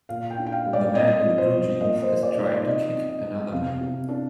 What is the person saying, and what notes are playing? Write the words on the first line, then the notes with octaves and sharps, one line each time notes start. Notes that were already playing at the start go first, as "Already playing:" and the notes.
The man in the blue jeans is trying to kick another man.
A#2 F5
G5
D4
G5
F5
G3
D5
C4 D#5
F3
C5
F3
A#3 D#5
C5
F3
D5
D#4
D5
C4 D#5
C4
D#5
C4
C3 F5
C3
D4